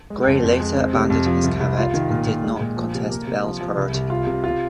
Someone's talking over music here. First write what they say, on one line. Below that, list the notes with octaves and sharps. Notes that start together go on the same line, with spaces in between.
Gray later abandoned his caveat and did not contest Bell's priority.
G#3
F2
F2
G#3
C4
C3
F2
F3
C2
C2
F4
D#3
A#2
A#2
G#3
A#2
F3
C3
A#3
C3
F3
F3
C2
C2
F4
C3
F4